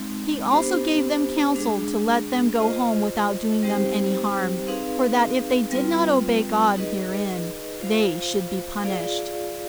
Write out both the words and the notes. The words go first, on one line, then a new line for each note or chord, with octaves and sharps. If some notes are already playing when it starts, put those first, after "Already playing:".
He also gave them counsel to let them go home without doing them any harm, for that if they did not obey God herein, they should be punished.
Already playing: G#3 C4 D#4
B3 D4 G4 C5
G#3 D4 G#4
F4 C5 D#5
G3 C4 D#4 G4 C5
C4 D#4 G#4 B4 F5
G3 C4 F4 B4
D#4 G#4 B4 D#5
F4 C5 F5
F4 G#4 D5 F5